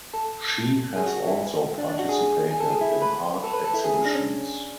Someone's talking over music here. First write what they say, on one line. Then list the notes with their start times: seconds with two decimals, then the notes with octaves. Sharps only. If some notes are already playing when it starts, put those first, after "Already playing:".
She has also participated in art exhibitions.
0.13 A4 A5
0.96 G#4 G#5
1.06 F#4 F#5
1.16 F#4 F#5
1.27 E4 E5
1.78 D4 D5
1.88 D4 D5
1.99 F#4 F#5
2.09 G#4 G#5
2.19 G#4 G#5
2.51 G#5
2.60 A4 A5
2.70 G#4 G#5
2.81 E4 E5
2.91 E4 E5
3.02 B4 B5
3.43 A4 A5
3.53 B4 B5
3.64 A4 A5
3.73 E4 E5
3.84 G#4 G#5
3.94 G#4 G#5
4.05 D4 D5
4.15 C#4 C#5